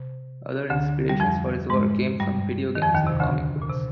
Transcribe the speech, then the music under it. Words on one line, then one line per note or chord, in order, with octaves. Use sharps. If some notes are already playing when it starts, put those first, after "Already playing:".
Other inspirations for his work came from video games and comic books.
Already playing: C3
D2 D3
G3
F2 F3
G#2 G#3
G2 G3
D#3
F2 F3
D#2 D#3
C3
D2 D3
A#2
C3